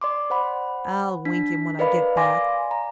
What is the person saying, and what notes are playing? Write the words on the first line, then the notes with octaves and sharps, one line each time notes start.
I'll wink him when I get back.
D5 C6 D6
C5 F#5 B5
D4 B6
A#4 B4 D5 D#5 F5 B5
D5 F5 G#5 C6 D6 A#6
A#5